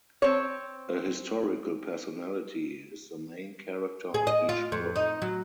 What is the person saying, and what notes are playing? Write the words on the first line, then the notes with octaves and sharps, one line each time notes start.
A historical personality is the main character of each book.
C4 C#5
G#4
D#5
F4
F2
D#4
F#3